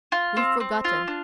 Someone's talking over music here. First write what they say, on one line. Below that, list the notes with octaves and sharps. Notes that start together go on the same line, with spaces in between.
We've forgotten.
F4
C4
C4
F4
D4